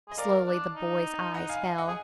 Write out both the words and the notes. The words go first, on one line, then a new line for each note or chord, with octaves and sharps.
Slowly the boy's eyes fell.
G#4 D#5
A#4 D5 F5
D4
D#4
D#5 F#5
F5 G#5
F5 G#5
D#5 F#5
G#4